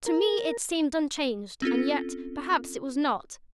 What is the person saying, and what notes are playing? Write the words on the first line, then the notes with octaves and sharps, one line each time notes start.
To me it seemed unchanged--and yet--perhaps it was not.
A#4
C4 C#4 F4 A4